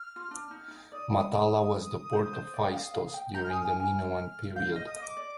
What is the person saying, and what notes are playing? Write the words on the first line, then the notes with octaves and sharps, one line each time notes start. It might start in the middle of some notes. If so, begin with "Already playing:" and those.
Matala was the port of Phaistos during the Minoan period.
Already playing: F6
F4
D4
D#4
D#4
D5 D#6
C5
C5
D5
G5
F5
F5
G5
A#5 G6
F6
G#5 D#6
F6
G#5
G#5
F5 G6
D#5 F6
D#6
D#5 D6
D5